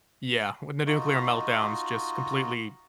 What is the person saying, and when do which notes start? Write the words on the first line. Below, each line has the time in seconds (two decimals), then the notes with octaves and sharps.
Yeah, when the nuclear meltdowns just completely
0.87 D#4 F4 F#4 D#5